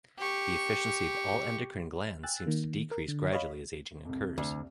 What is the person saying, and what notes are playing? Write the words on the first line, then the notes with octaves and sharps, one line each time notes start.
The efficiency of all endocrine glands seems to decrease gradually as aging occurs.
G4 C#6
G5 G#5 E6 F#6 A6
D#3 A#3
A#4
D3
C#5 D#5 F5 B5
C2 F2
D2